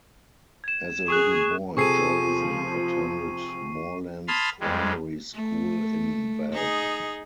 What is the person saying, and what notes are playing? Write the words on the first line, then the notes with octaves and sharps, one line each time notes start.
As a little boy, Jason attended Moorlands Primary School in Bath.
G#6 E7
G#4 C#6 D#6 F#6
C3 F3 G#4 A4 C#6 C7 D#7
A5 B5 C6 D#6 F6 G#6
F2 G3 G#3
A3
D#4 G#4